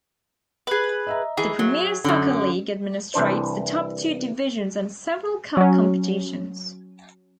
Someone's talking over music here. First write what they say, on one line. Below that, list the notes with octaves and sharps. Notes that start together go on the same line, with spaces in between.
The Premier Soccer League administrates the top two divisions and several cup competitions.
G#4 B4
D#5 E5 A#5
E3 G#4
F#3
F#2 D3 C#4
C2 E3 D4 C5
F#3 C#4